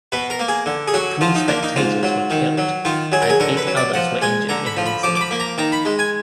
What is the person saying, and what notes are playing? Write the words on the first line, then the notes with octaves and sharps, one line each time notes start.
Three spectators were killed and eight others were injured in the incident.
B2 B4
A#4
A#3
G#4
D3
G#4
F#3 F#4
F3 F4
D#4
A#3 D4
D#4
G#2 F4
F#3
D#3
F#3
D#3 F4
F#3 G#4
A#4
G#4
D3 A#4
B4
F#3
D5
F3 F#5
G#3 G#5
D3 A#5
B5
F3
B5
F3 D6
D6
B5
A#3
A#5
D#3 A#5
B5
G#3
G#5